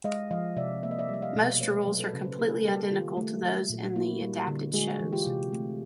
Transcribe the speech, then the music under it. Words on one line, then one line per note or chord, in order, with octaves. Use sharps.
Most rules are completely identical to those in the adapted shows.
G#3 D#5 F5
F3 D#5 F5
C3 D5 E5
A#3 E5
D#5
D5 E5
G3
E5
D#5 F5
B2
A3 B4 C#5
F#3
A4 B4
C#3
C5
B4
A#3 G#4 A#4
G3 G4 A4
D#3 F4 G4
A3
F#3
A#2
A#3 E4 F#4
G3
D3
G#3 F#4 G#4
E3
F4 G4
C3
A3